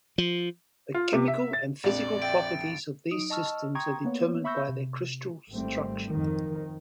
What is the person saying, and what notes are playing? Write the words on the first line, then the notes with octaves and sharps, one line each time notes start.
The chemical and physical properties of these systems are determined by their crystal structure.
F3
F4
C3
E5
A6
A#1 F2 D5
E5 G5 A6 D7
F#3 D#4 D#6 D7
D#5 A5 C#6 E6 F6
G5 A#5 C6 C#6 D#6 G#6
A#3 B3 C#5
E5 B5 C#6 E6 G6 A#6
C3
G#1 G3 A3 C4
F2 D#3